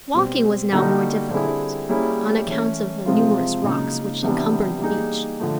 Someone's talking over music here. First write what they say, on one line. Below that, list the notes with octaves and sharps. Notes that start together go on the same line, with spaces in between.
Walking was now more difficult, on account of the numerous rocks which encumbered the beach.
B2 G3 C4
D3 G3 A#3 D#4 F#4
D3 G3 C4 E4 G#4
G3 A#3 C#4 E4 G#4
E3 A3 C#4
C3 F3 G#3 C4 F4
C#3 F#3 A#3 D#4
C3 E3 G3 B3 D4
G3 A#3 D#4 G#4
D3 F3 A3